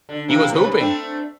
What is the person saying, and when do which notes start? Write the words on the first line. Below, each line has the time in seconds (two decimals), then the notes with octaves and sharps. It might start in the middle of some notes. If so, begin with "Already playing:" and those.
He was hooping.
0.09 D3
0.28 C3 E3 A#3
0.53 D#2 C3 B4
0.76 A3 C4 D4